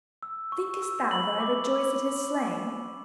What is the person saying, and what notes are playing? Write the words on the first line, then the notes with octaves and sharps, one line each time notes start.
Thinkest thou that I rejoice at his slaying?
E6
C#6
E6
B5 F#7
D6